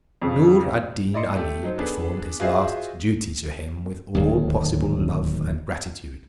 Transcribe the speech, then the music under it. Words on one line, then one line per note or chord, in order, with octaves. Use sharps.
Noor ad Deen Ali, performed his last duty to him with all possible love and gratitude.
F2 C#3
E4 D5 D#5 C6 C#7
A3 G4 A4
F#3 D#4 C5
B3 D4 G#4 A4 B4
F4 F#4 G#4 C5 D#5 E5
D1 D#2